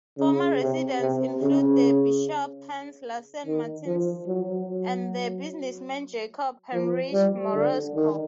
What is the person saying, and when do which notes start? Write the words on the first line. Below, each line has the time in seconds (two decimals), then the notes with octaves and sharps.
Former residents include the bishop Hans Lassen Martensen and the businessman Jacob Heinrich Moresco.
0.19 C#3
0.60 C3
1.01 C3
1.42 C#3
3.46 D#3
3.86 F3
4.27 F#3
4.68 F#3
6.73 F3
7.13 G3
7.54 D3
7.95 D#3